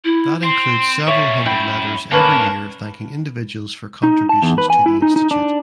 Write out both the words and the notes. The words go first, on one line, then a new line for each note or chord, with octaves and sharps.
That includes several hundred letters every year thanking individuals for contributions to the Institute.
E4
C4 C6
A#2 G3 C#5 E5
F#2 E4 G5 B5
G2 A#3 C#4 A#4 B4 A5
D#4
A5
E2
B4
G#5
E4
D#4
D#4
D4